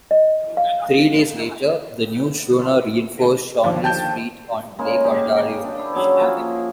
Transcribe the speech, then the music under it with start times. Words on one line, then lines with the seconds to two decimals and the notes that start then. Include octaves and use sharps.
Three days later, the new schooner reinforced Chauncey's fleet on Lake Ontario.
0.11 D#5
0.57 F5
3.64 D#2 D3 F3
3.84 G5 A5 G6
4.79 C#3 G#3 A#3
5.05 A#3 G4 G#4
5.65 D4 G4
5.79 E4
5.96 F#3 C#4 G#4
6.19 F3 A#3